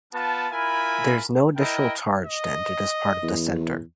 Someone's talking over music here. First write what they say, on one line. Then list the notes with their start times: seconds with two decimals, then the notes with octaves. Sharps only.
There is no additional charge to enter this part of the centre.
0.12 B3 F4 A5
0.50 E4 F4 A#4 G#5 B5
1.57 E4 A#4 D#5 G5
2.26 D#5
3.23 E2